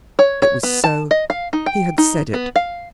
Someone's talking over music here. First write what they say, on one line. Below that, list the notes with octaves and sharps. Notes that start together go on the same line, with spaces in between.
It was so; he had said it.
C#5
C#5
B3
A5
D#5
F5
D#4
G5
D#4
B3
F5